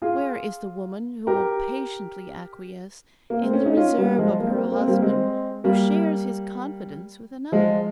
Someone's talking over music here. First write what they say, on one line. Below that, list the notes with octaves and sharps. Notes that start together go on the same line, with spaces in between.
Where is the woman who will patiently acquiesce in the reserve of her husband who shares his confidence with another?
F4 G#4
G4 A#4
A#3
C4
C#4
D#4
C#4 F4
G3 A#3
F3 G#3
A#3
C4
A#3
C4
A#3
C4
G3 A#3
G#3 C4
G3 A#3
F3 G#3